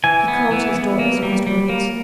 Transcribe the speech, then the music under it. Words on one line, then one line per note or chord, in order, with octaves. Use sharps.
He caught his daughter's last words.
E3 G#5
B3
E3
B3
A#3
G3
G3
A#3